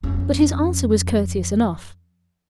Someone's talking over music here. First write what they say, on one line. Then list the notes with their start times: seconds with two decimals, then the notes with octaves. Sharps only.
But his answer was courteous enough.
0.03 F2 C#4